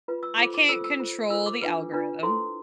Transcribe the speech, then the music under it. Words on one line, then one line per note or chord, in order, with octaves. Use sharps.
I can't control the algorithm,
F4 B4
E6
F4 A4 C5 D6
D6
F4 A4 C5 E6
E6
F4 A4 C5
F4 A4 C5 E6
D6
D4 F4 B4
D4 F4 B4
E4 A4 C5 C6